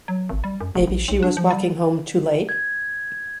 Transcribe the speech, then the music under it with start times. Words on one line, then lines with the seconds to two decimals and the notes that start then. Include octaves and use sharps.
Maybe she was walking home too late?
0.08 F#3
0.29 G#1
0.44 G3
0.61 F#2
0.75 F1
0.88 A#1
1.08 B1
1.23 D4
1.37 F3
1.51 G3
2.49 G#6